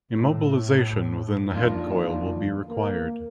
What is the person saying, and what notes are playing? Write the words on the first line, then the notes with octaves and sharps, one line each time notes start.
Immobilization within the head coil will be required.
A2
F2 D#3 A#3 D4 F4
A#3